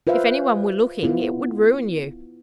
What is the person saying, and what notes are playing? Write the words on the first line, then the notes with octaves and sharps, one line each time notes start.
If any one were looking, it would ruin you.
F4 B4 C5 E5 F5
B3 E4 F4